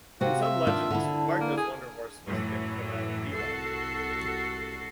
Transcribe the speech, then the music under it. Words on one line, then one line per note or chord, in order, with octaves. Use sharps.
In some legends, Marko's wonder horse was a gift from a "vila".
C3 C4 F#4 F5
E5
D#3 D4 F4
D3 E4 A5
A#3
G#4 G#5
F#2 A2 E3 F#3
C2 F#4 A4 C7